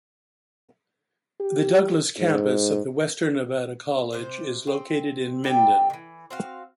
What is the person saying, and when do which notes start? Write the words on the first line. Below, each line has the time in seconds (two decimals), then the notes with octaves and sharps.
The Douglas campus of the Western Nevada College is located in Minden.
1.40 G4
2.19 G#2
4.13 C3 C5
4.67 C4
5.44 G3 G4 A4
5.90 D#3 E3
6.30 C4 F#4 F5